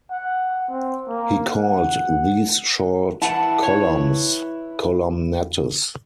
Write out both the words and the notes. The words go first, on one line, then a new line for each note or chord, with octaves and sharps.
He called these short columns columnettes.
F#5
C4
A#3
F#5
E4 B4 F#5 A5
C#5